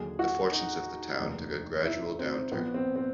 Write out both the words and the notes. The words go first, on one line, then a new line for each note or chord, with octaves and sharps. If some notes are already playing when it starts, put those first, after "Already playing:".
The fortunes of the town took a gradual downturn.
Already playing: D#2 D3 F#3 G#4
F#4
D#4
F1 D#2 C#3
E4
C4
A#1 A#2 F3 B3
C4
C4